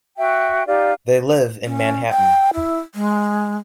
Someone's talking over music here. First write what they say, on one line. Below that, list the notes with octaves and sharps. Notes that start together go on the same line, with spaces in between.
They live in Manhattan.
F#4 E5 G5
D#4 F4 G4 D5
C#4
G5
E4
G#3